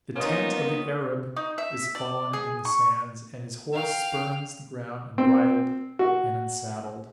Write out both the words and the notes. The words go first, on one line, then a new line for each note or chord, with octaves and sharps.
The tent of the Arab is fallen in the sands, and his horse spurns the ground unbridled and unsaddled.
A#3 B3 C#4 D#4 F4 C5 D#5
D#4
E5
D5
G#4
C#6
F5 G5
C4
F#4